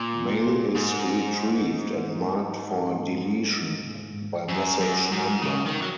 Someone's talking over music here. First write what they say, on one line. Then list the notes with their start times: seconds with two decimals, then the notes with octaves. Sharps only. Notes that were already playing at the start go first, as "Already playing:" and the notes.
Mail is retrieved and marked for deletion by message-number.
Already playing: A#2
0.75 G#2
4.48 F#2
4.80 F#2
5.11 G#2
5.42 C#3
5.66 D#3
5.82 F#3